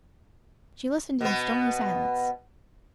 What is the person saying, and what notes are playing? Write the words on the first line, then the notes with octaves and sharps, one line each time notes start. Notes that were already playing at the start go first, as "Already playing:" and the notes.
She listened in stony silence.
B2 B3